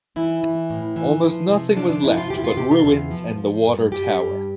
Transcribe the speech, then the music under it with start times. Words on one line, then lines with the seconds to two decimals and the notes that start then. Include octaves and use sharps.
Almost nothing was left but ruins and the water tower.
0.16 E3 E4
0.44 E3
0.70 A2
0.96 E3
1.24 F3
1.50 C3
1.77 F3 D4
1.90 D4
2.04 C3 E4
2.18 F4
2.30 E2 G4
2.38 E4
2.44 F4
2.57 C3 G4
2.71 F4
2.84 E2
3.11 F3
3.38 F3
3.64 G2
3.91 G2 G4
4.18 G2